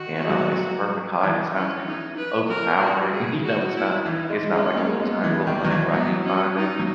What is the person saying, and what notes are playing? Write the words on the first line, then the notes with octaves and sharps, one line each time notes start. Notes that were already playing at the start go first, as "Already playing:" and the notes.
And, uh, it's the perfect height. It's not too overpowering. You know, it's not it's not like a little tiny little thing where I can't find it.
Already playing: D#3 F#4
G#3
F#3
E3
C#4
D#4
B4
A#4
F#4
G#4
F#4
E4
E3 D#4
G#3
G#3 C#4
A#3
G#3 B3
E3
D#3 A#3
F#3
E3
F#3 B3
C#4
D#4
F#3